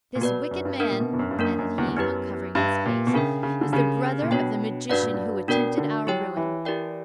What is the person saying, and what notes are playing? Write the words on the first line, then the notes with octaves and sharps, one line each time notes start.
This wicked man," added he, uncovering his face, "is the brother of the magician who attempted our ruin.
A#2
B2 F#4 B4 D5
F#2
G2
B3 D4 A#4
A#2
B2
E2
F#2
G2
F#2 A#3 D4 A#4
F#2
E2
E2
F#2 B3 E4 G4 B4
G2 G4 B4 E5 G5
A#2
B2
C#3 D4 A#4 E5 G5
C#3
D3
C#3 D4 G4 A#4
A#2
B2 D4 F#4 C#5 G5
G2 D4 F#4 B4 D5 F#5
A#2
G2
B2 D4 F#4 A#4 D5 G5
D3
F#3 E4 G4 C#5 G5
E3
E4 G4 A#4 D5 G5